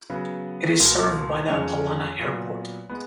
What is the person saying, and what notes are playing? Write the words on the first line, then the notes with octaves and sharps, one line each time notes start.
It is served by the Palana Airport.
C#3 F#3 B3
C#2 B2 A#3
F2 C#3 G#3 C#4
A#2 F#3 B3
G#3 B3